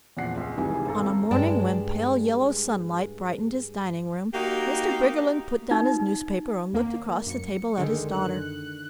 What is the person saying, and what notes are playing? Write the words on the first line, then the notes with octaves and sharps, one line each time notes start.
On a morning when pale yellow sunlight brightened his dining-room, Mr. Briggerland put down his newspaper and looked across the table at his daughter.
E2 A#2 F3 F#5 C7
C#2 F4
F1 D#3 E3 G3 G#3 G#5
G#1 C#4 A4 A#5
G2 G#3 D5 G5 A5
A#3 D#4 F#4 G4
D#4
D#2 A#3
F#2 C#7
D3 D#3 G#3
F#6